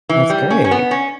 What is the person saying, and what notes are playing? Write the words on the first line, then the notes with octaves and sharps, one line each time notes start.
That's great.
E3
G3
C#4
C#4
B3
C#4